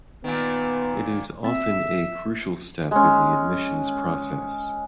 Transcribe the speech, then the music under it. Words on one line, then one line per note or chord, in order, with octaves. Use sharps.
It is often a crucial step in the admissions process.
A#2 D#3 B3
C4 E5
G#3 C#4